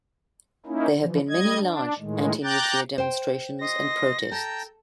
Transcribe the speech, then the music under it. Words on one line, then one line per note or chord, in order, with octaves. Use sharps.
There have been many large anti-nuclear demonstrations and protests.
A#3 C#4 D#4 E4
E3 F3
G3 D#5 G#6
D4
A2 D#3 G#3
G5 A#5 D6 F#6 G6 A6
C5 G5
D#5 C6 A#6
A4 G5 A5 A#5